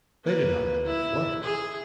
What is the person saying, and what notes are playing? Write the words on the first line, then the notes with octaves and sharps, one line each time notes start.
They did not know where they were.
A#3 B4
E4
G#4